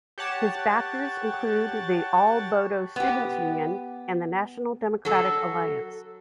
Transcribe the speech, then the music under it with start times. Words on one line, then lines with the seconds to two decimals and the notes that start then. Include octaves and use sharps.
His backers include the All Bodo Students Union and the National Democratic Alliance.
0.18 G4 C#5 F#5 A5
2.96 B3 G4
5.05 F#3 A4